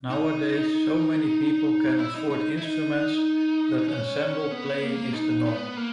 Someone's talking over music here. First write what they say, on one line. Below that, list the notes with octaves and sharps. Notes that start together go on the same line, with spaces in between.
Nowadays so many people can afford instruments that ensemble playing is the norm.
D#4
E4
D#4
D#4
E4
D#4
D#4
C#4
C#4
B3
A#3
D#4
B3
A#3